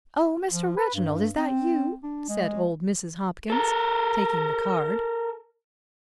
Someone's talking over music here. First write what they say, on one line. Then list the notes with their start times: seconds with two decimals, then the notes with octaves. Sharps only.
"Oh, Mr. Reginald, is that you?" said old Mrs. Hopkins taking the card.
0.50 F3
0.77 B4
0.95 G2
1.37 C4
2.03 D4
2.29 G#3
3.50 A4 A#4